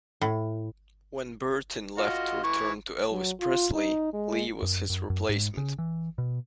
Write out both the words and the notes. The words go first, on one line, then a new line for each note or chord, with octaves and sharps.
When Burton left to return to Elvis Presley, Lee was his replacement.
A2
F4 F#4 D#5
E3 C#6
F#3
F4
D#4
G#3
F#2
F#2
F#2
G#2
C#3
E3
B2